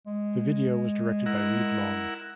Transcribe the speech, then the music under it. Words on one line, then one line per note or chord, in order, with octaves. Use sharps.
The video was directed by Reid Long.
G#3
E4 A#4 F#5